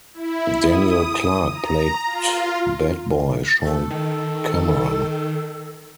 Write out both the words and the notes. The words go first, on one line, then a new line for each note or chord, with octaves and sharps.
Daniel Clark played bad-boy Sean Cameron.
E4
D#6
A#5
F4
A4
D#3